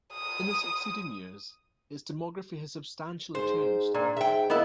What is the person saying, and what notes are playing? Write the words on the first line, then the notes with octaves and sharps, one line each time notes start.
In the succeeding years, its demography has substantially changed.
D#6
G#2 C5
A#2 D4
G#2 E5 G5
A#3 B3 E4 D#5